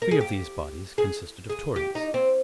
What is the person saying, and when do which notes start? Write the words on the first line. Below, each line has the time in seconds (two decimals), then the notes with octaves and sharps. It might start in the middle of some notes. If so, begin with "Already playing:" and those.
Three of these bodies consisted of Tories.
0.02 A#4
0.11 G#4
0.21 G4
0.98 G#4
1.50 G#4
1.76 G4
1.95 D#4
2.14 C4